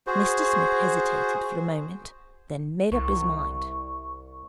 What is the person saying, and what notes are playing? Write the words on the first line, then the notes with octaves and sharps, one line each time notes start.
Mr Smith hesitated for a moment, then made up his mind.
F#4 G#4 C5
C2 C#6